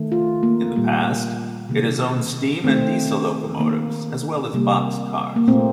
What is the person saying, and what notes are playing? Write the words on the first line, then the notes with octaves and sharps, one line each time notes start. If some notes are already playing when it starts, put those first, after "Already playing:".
In the past, it has owned steam and diesel locomotives, as well as boxcars.
Already playing: D#3 A3
F4
A#3
A#2 G3 A#3
C3 D#3 A#3
D#3 A3 C4
D#3 A#3
C3 G3 A#3
A#3
A#2 A3 C4